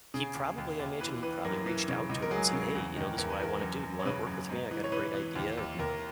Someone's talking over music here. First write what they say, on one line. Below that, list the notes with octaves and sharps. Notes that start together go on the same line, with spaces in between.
he probably I imagine he probably reached out to 'em and said, "Hey, you know, this is what I wanna do, do you wanna work with me? I got a great idea," and,
C#3 G#4
D#2
D#2
D#2
E3 B4
E3 B4
F#2 A#4
E3
C#3
C#2
A#4
F#3 G#4
C#3
E2
D#3
E2 A#4
B4
E2 A#4
F#2
F#2
C#5
C#3 B4
F#2
G#2
E3
C#5
E3 B4
E3
D#2
D#2
D#2 A#4